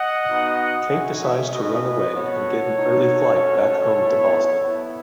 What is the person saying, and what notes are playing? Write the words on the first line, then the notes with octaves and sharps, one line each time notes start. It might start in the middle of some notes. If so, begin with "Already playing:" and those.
Kate decides to run away and get an early flight back home to Boston.
Already playing: D#5 F#5
B3 D#4 F#4
G#3 D#4 F#4 E5 G#5
C#5 E5
A3 C#4 F#4 B4 D#5
B3 F#4 A4 C#5
B3 D#4 F#4
A3 C#4 F#4
B3 E4
B3 E4